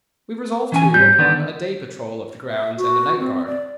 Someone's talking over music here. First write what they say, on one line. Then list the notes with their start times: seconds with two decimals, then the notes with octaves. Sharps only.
We resolved, too, upon a day patrol of the grounds and a night guard.
0.72 E3 C#4 G#5
0.94 G#2 G3 G6
1.18 D#3 B3 D4
2.50 E5
2.77 F#4
3.19 C4
3.47 D5